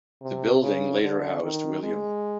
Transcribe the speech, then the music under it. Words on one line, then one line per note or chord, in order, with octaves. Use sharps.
The building later housed Wm.
C3
C#3
D3
D#3
G#3